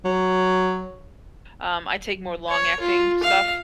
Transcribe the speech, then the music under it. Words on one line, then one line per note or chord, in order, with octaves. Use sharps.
um, I take more long-acting stuff,
F#3
C#5
F4
F5